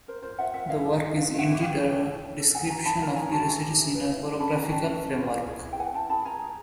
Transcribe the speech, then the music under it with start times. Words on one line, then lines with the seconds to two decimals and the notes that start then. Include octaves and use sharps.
The work is indeed a description of curiosities in a chorographical framework.
0.08 A#4 C5
0.22 F4 C5
0.39 F4 E5 F#5
0.54 A#4 E5 F#5
0.69 E4 D#5 F5
0.85 G4
1.00 E4
1.15 B4 D#5 F5
1.31 E4
1.39 E5 F#5
1.46 G4
1.62 E4 F5 G5
1.78 A4
1.93 A4
2.08 E4
2.25 E4
2.40 A4
2.55 D#4 F#5 G#5
2.70 F#4 G#5 A#5
2.86 D#4 A5 B5
3.01 A#4 G#5 A#5
3.16 D#4 G#5 A#5
3.31 F#4 A5 B5
3.47 E4 G#5 A#5
3.63 G4
3.79 E4
3.94 B4
4.10 E4
4.25 G4
4.40 C#4 A5 B5
4.56 F4 G#5 A#5
4.71 C#4 G5 A5
4.87 A#4
5.02 C#4
5.18 F4
5.33 E4
5.48 G#4
5.64 E4
5.73 G5
5.79 B4 F#5 G#5
5.94 E4 G5 A5
6.10 G#4 A5 B5
6.25 F4 G#5 A#5
6.41 G#4